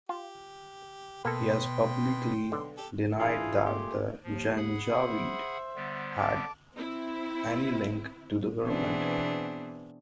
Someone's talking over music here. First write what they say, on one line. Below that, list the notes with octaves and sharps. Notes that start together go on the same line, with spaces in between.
He has publicly denied that the Janjaweed had any link to the government.
F4 G4
B2 A#3 A4 G5 C6
B1 D3
G4 A4
E3 D4 E4 F4 G#4
A#2 G#3 A3 G4 G#4 C6
D#2 F3
G#4 F#5 B5
C5 E5
D3 G3 B3
A5 D6
C4 E4
B2 E3 B3 C4 D4 G#4